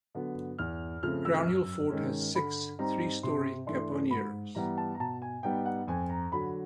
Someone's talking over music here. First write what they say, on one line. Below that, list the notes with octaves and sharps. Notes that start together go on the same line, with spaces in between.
Crownhill Fort has six three-storey caponiers.
D3 F#3 B3
E2 F6
C#3 F3 A3 C4 F6
E6
F#2
D#3 G#3 C#4
D3 B5
G3 C4 D#4 A#5
C3 C6
E3 A3 D4 C6
G#2 B5
E3 G3 B3 A#5
A5
A#5
B2 A5
G#5
G3 B3 D#4 G5
F#5
F2 G#5
A#5
D3 F#3 B5